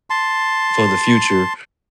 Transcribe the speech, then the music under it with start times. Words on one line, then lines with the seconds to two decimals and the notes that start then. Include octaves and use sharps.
for the future
0.10 A5 C6